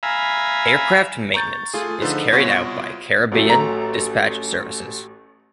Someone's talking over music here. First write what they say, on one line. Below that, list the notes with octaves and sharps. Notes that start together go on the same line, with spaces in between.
Aircraft maintenance is carried out by Caribbean Dispatch Services.
E5 F5 G#5 A#5 B5
A#5 C#6 G6 A6
A3 F4 G#4
D3 F3 D#4 A4 B4 C5
C2 B2 F4 F#4 C#5 G#6
A1 F#3 A3
A#5